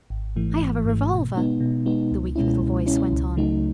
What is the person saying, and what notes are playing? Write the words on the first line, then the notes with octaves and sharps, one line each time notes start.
"I have a revolver," the weak little voice went on.
G#1
G#2 E3 A3
G#1
G#2 E3 A3
B2
G#3 B3 D#4
B2
G#3 B3 D#4
C#2
B2 G#3 C#4 E4
C#2
B2 G#3 C#4 E4
C#2
C#3 F#3 A3 D#4